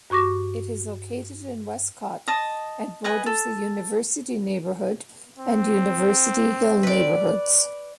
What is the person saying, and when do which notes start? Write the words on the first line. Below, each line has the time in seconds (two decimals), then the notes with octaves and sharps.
It is located in Westcott, and borders the University Neighborhood and University Hill neighborhoods.
0.10 G2 F#4 C#6 D6 A#6
2.28 D#5 A5 D#6
3.04 B4 D#5 F#5 G#5
3.26 A4
5.38 C4
6.83 B4 D5